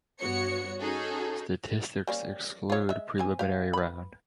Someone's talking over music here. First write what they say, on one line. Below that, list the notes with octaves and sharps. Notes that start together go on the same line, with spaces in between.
Statistics exclude preliminary round.
G2 B3 F#4 C#5 C#7
C#4 D#4 F#4 G#4 A4
G3 A#3 C#4
F4 C#5
G#3 E5
C4 G#5
G4 F5
B4 B5